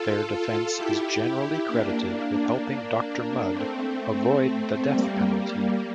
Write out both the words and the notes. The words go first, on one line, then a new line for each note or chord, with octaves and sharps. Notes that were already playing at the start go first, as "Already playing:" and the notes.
Their defense is generally credited with helping Doctor Mudd avoid the death penalty.
Already playing: F4 A4
F4 A4
E4 G4
A#3 D4
A#3 D4
A3 C4
G3 A#3
G3 A#3